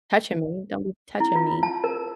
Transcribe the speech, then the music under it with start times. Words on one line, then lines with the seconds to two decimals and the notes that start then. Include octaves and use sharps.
touching me. Don't be touching me.
1.20 E4
1.35 F4
1.63 A5
1.84 A#4